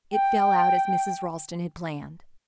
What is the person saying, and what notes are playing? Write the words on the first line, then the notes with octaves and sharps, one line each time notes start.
It fell out as Mrs. Ralston had planned.
G5